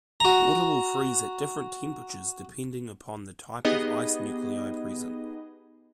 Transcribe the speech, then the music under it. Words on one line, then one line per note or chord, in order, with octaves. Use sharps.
Water will freeze at different temperatures depending upon the type of ice nuclei present.
F#4 A#5
B3 D#4 G4 G#4 D#5